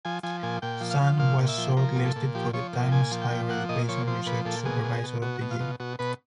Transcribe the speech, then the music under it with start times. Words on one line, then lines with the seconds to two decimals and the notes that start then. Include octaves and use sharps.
Sun was shortlisted for the Times Higher Education Research Supervisor of the Year.
0.05 F3 G#5
0.23 F3 G#5
0.43 A#2 G#5
0.62 A#2 G5
0.81 F3
0.91 F5
1.01 F3
1.19 A#2 F5
1.39 A#2
1.48 E5
1.58 F3
1.77 F3 A#4
1.96 A#2
2.05 A4
2.16 A#2
2.35 F3 G4
2.54 F3 C#5
2.73 A#2
2.92 A#2 G#5
3.11 F3
3.22 G5
3.31 F3
3.49 A#2 F#5
3.69 A#2 D#5
3.89 F3 C#5
4.07 F3 C5
4.26 A#2 B4
4.45 A#2 A4
4.65 B2 G#4
4.84 B2
5.04 B2
5.22 B2 F#4
5.41 B2
5.51 F4
5.60 B2
5.80 B2 F#4
5.99 B2 B4